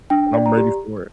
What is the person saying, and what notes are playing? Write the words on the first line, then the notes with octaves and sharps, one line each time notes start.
I'm ready for it.
D4 G5
D5
A#5
G4